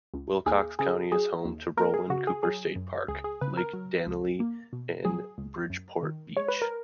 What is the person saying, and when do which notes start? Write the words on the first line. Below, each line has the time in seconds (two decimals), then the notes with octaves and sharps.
Wilcox County is home to Roland Cooper State Park, Lake Dannelly, and Bridgeport Beach.
0.14 C#2
0.46 D#2 G#4
0.79 C#3 G#4
1.12 F#3 G#4
1.45 D#2
1.77 A#3 A#4
1.94 G#4
2.10 C#3 F#4
2.27 G#4
2.43 F#3 G#4
2.76 F#2
3.08 C#2 G#4
3.24 G#4
3.41 C#3 B4
3.57 A#4
3.73 F#3
4.07 C#2
4.40 A#3
4.73 B2
5.05 F#3 G#4
5.38 C#2
5.70 F#2
6.03 D#3
6.36 G#3 C#5
6.48 B4
6.62 A#4